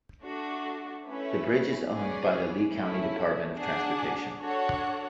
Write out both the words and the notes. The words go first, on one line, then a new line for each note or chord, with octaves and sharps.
The bridge is owned by the Lee County Department of Transportation.
A3 D4 F#4
A3 C#4 E4 B4
C#4 G#4 B4 D5
A3 C#4 E4
D4 G#4 D5 F#5
D4 F#4 A4 C#5 F#5